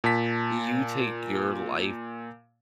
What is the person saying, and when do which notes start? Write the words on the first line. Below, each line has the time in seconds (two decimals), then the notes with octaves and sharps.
you take your life
0.04 A#2 A5 B6